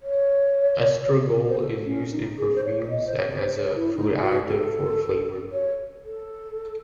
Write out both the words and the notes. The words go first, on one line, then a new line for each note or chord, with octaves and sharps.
Estragole is used in perfumes and as a food additive for flavor.
C#5
C5
A4
C#4
D#4
G#4
C5
C#5
C#5
D#5
C5
C#5
C#5
C5
C#5
E4
D#4
F#4
A4
C#5
A4